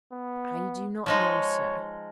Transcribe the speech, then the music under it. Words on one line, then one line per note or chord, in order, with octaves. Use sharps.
"I do not know, sir!"
B3
F3 G#3 D#4 C#5